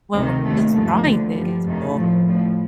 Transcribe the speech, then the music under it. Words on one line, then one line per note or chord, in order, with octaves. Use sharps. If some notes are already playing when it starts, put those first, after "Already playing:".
Well, just drawing things o
D2 C3 D#3 C4
D#2 D#3 A3
G2 D3 F3 A3
D2 D3 F3 A3
G2 F3 G3
F2 C3 D#3 A3
A2 F3
A2 F3